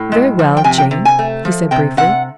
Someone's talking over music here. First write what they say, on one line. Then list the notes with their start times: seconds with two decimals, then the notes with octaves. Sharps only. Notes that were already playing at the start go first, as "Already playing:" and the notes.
"Very well, Jane," he said, briefly.
Already playing: A2
0.12 G#3
0.39 F3
0.57 G5
0.64 C3 G#5
0.78 G5
0.91 C3
1.05 G#5
1.19 A3
1.45 F3
1.71 C3 G5
1.97 C3 F#5